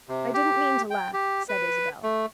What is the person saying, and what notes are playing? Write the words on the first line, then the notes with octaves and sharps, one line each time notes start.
"I didn't mean to laugh," said Isabel.
C3
G4
G5
G4
B4
A3